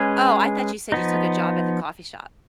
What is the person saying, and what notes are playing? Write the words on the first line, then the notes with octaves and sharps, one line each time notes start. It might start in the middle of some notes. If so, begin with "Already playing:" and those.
Oh, I thought you said you took a job at the coffee shop.
Already playing: G#3 C#4 G#4 B4
F3 B3 D#4